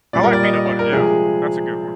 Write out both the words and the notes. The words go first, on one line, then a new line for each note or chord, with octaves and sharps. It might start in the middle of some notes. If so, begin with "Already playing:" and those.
I like peanut butter, yeah. That's a good one.
A#2 G3 D5
A#4
D5
D#5
D#5
D5
A#4
C3 F3 G#3 G#4